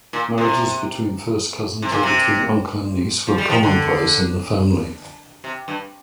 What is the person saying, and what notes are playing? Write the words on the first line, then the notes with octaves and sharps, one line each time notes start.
Marriages between first cousins, or between uncle and niece, were commonplace in the family.
A#2
C3
C3
A#2
C3
F3
G3
F3
D3
C3
G2